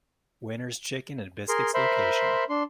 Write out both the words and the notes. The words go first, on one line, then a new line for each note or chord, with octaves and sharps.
Winner's Chicken and Biscuits location.
G#4 A#4 C6
A#4 C5 E5 B5 C6
D4 C6